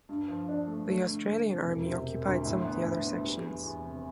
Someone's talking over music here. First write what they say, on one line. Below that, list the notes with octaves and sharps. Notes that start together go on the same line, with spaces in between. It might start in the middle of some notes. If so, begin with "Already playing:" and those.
The Australian army occupied some of the other sections.
G2
F3
D4
A3
A3
D3
A3
F1
E1
C3
E1
D2
A2
B3
A2
B3
G3
E2
E2
F1